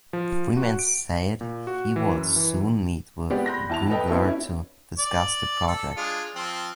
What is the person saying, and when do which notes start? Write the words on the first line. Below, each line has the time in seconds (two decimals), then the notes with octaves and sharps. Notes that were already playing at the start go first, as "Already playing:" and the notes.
Freeman said he would soon meet with Coogler to discuss the project.
0.13 F3
0.57 F#4
0.79 D7
1.41 A#2
1.67 F#4
1.96 E3
2.16 F#2
2.36 E3
3.30 G#3 B3 C4 G4 D5 F#5
3.46 B5 C6 F#6 G6 A#6
3.69 E2 E4 A5 B5 F7
3.90 A4 B4 D#5 G5 A5
4.08 B3 C4 E4 F#4 A4 B4
4.23 C#4 D#4 E4
4.99 D5
5.67 A4 A5
5.97 G#3 D4 F4
6.36 F3 C4